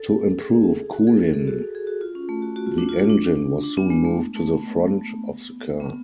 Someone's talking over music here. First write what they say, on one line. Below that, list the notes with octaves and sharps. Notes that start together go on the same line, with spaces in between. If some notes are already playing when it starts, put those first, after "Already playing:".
To improve cooling the engine was soon moved to the front of the car.
Already playing: A4
G#4
F#4
G#4
A4
G#4
F#4
G#4
F#4
F4
C#4
A3
F#4
F#4
F4
D4
F4
D4
D4
B3
G#3
A3
A3
B3
B3